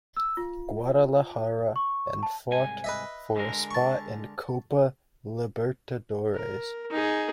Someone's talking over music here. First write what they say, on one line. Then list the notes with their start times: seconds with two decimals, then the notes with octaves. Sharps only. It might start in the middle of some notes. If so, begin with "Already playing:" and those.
Guadalajara and fought for a spot in Copa Libertadores.
0.16 E6
0.37 F4
1.76 C#6
2.23 A5
2.51 C2 G#2 G#5
2.84 B4 D#5 E5
3.36 D3 G#3 A#4
3.71 A5 C#6
6.35 A#4
6.91 D#4 G#4